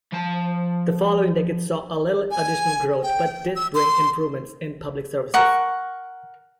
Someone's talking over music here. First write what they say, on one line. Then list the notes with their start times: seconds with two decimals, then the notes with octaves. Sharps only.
The following decades saw little additional growth but did bring improvements in public services.
0.12 F3 A5
2.31 G#5
3.03 G5
3.56 E6
3.75 C6
5.34 A#4 F#5 C#6